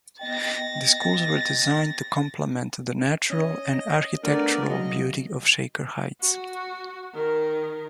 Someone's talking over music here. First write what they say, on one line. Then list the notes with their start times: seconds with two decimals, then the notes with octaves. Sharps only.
The schools were designed to complement the natural and architectural beauty of Shaker Heights.
0.19 B3 D#5 G5 A6 A#6
3.30 C#4 D#5
4.23 A3 B3 D4 A#4 D5
4.70 C#3 F#3 D#5
6.21 F#4
7.14 D#3 A#4